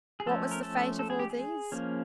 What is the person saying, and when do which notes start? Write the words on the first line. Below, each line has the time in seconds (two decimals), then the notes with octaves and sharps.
What was the fate of all these?
0.20 G#4
0.26 F3 A3 C#4 A4
0.51 A#4
0.63 A4
0.99 A4
1.10 G#4
1.19 G4
1.30 G#4
1.72 F3 A#3 C#4